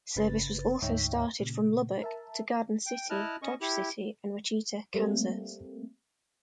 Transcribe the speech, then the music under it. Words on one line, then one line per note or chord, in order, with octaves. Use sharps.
Service was also started from Lubbock, to Garden City, Dodge City, and Wichita, Kansas.
G1 C#3 B4 A6
D2 G#2 D#4 C#5 E5 G5
A#2 C#3
A#4 E5 A5
G5
E4 D#5 A5 F6 F#6
C#4 D#5 C#6
E4 G4
G3 A3 A#3 C4